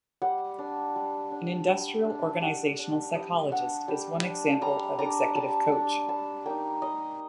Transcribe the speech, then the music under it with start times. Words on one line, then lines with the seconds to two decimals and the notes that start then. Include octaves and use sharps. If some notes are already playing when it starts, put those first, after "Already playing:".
An industrial organizational psychologist is one example of executive coach.
0.22 G3 F#5
0.58 D4
0.96 G3
1.31 D4
1.68 G3
2.05 D4
2.41 G3 F#5
2.79 D4
3.15 G3 D#5
3.51 D4 F#5
3.88 G3 G5
4.25 D4
4.61 G3 A#5
4.99 D4 A#5
5.35 G3 A5
5.72 D4
6.08 G3 A5
6.46 A#3 D#4 G5
6.82 G3 D#5